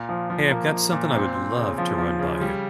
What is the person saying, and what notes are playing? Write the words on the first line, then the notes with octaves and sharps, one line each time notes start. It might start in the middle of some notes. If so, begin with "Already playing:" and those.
Hey, I've got something I would love to run by you.
Already playing: A#2
F3
F3
A#3
F3
A#2
C4
C4
C#3
F3
F3
C#3
G3